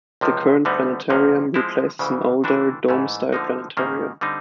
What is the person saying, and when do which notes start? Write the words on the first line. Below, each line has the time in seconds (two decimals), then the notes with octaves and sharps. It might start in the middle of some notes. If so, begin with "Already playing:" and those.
The current planetarium replaces an older, dome-style planetarium.
0.21 C#2 C3 F3
0.65 D2 D3 G3 B3 D#4
1.10 D2 C3 F3 A#3 C#4
1.54 F3 G#3 C4 E4
1.99 D2 C#3 E3
2.44 C3 E3 A3 D4 F#4
2.88 G#2 E3 A3 C#4
3.33 D2 D3 F3 A#3 D#4
3.77 G#2 D#3 G3 A#3 C#4
4.21 D3 G3 C4 D#4